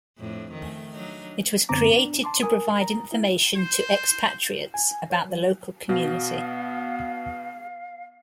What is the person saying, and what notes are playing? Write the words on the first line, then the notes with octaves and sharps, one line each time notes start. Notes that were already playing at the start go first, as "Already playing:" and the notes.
It was created to provide information to expatriates about the local community.
F2 A2 D4
D#3 A3
F#3 D4 D#4
F#2 D3 B3 C4 A#5 D6
D4
A5 C6 D6
A#4 G#5 D#6
A#5
E4
C5
G#5
C#5
F#3
B2 B3 F#4 F5